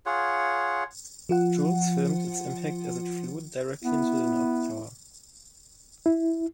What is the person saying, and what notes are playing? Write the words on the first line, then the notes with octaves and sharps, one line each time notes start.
Jules filmed its impact as it flew directly into the North Tower.
F4 G#4 C#5 F#5
F3 F4 F#5
B3 E4
E4